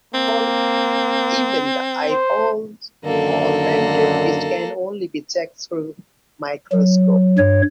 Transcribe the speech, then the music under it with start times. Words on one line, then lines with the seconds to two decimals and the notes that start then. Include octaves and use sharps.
Even the eyeballs are painted, which can only be checked through microscope.
0.14 A#3 C4
2.11 C5
3.05 F#2 D3 D#3 A#3 A4
6.72 F#3
7.38 G2 C#5